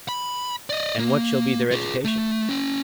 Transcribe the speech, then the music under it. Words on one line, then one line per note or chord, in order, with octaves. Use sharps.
And what shall be their education?
B5
D5 D#5
A#3
F4 G#4
A3
C#4 G5